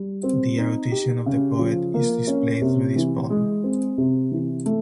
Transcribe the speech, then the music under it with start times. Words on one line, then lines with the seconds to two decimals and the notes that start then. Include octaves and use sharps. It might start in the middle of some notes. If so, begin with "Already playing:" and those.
The erudition of the poet is displayed through this poem.
Already playing: G3
0.23 C4
0.58 D#4
0.92 G4
1.26 C#3
1.59 F3
1.94 A#3
2.27 C#4
2.61 C3
2.96 E3
3.30 G#3
3.64 C4
3.98 C3
4.32 E3
4.66 A3